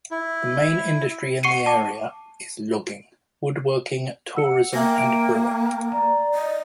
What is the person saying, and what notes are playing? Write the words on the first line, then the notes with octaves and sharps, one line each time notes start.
The main industry in the area is logging, woodworking, tourism, and brewing.
E4
F#5 C#6 C7 C#7 D#7
A5 D6
F#5 E6 C#7
A#3 E5 G5 G#5 A#6
E5 D7
D5 A#5
D#5